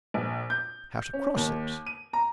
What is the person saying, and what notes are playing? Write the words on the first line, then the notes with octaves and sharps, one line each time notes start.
How to cross it?
A#1
G6
C#4
D#2
D#7
A#5